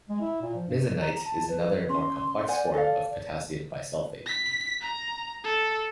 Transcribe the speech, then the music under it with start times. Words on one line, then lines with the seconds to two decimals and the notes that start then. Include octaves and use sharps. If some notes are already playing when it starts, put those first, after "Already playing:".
Misenite is another, more complex, form of potassium bisulfate.
0.09 G#3
0.21 E4
0.42 A#2
0.55 F3
0.67 G2
1.02 A#5
1.25 A5
1.49 B4
1.89 C#4 C6
2.48 C5 D5 F#5 G#5
2.74 A4 F5
4.26 B6
4.81 A#5
5.44 A4